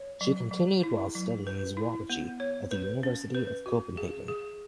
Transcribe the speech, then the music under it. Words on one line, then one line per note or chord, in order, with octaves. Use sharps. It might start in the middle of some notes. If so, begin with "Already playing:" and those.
She continued while studying zoology at the University of Copenhagen.
Already playing: C#5
F#3
F#3
E4
F#3
B4
E4
B3
C#5
B4
C#4
B4
F#4
G#4
G#4